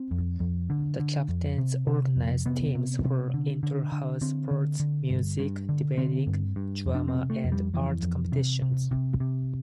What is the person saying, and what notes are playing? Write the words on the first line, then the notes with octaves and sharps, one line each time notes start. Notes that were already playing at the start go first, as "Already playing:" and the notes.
The captains organise teams for inter-house sports, music, debating, drama and art competitions.
Already playing: C4
F2
F2
D3
D3
F2
C3
C3
F2
C3 B3
C3
C3
D3
D3
D3
D3 C4
D3
D3
G2
G2
D3
D3 C4
G2
G2
F2
D4
C4
C3
A3
F2
G3
F2 E3
F2
C3
C3
C3
C3